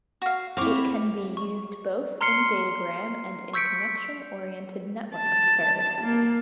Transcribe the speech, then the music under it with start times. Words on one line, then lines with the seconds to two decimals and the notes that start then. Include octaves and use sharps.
It can be used both in datagram and in connection-oriented network services.
0.22 F#4 F5
0.57 C4 E4 F5 C#6 D6
0.76 B5
1.37 C#6
2.21 A#5 C6 F6 C7 C#7 G7
3.54 C#6 E6 G6 B6 C#7 D7
5.15 A5
6.02 A#3